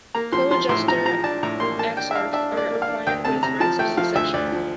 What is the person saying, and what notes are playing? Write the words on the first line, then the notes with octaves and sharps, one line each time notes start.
Coadjutor exarchs are appointed with rights of succession.
A#3 A#5
F3 C6
F3 C6
A2 C6
F3 A#5
F3 A#5
D4 A5
A2 A#5
A#3 C6
A#3 A5
D4 G5
E5
D4 F5
D4 E5
A#3
D5
A#3
F5
D4
D2 G5
C3 A5
C3 A#5
F3 A5
A3 G5
F3 F5
D2 E5
D2 D5
F3